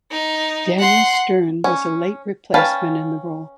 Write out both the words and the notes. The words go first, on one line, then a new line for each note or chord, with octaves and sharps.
Daniel Stern was a late replacement in the role.
D#4
F#5 C6
C#4
C#4 B4 F5 G5 A5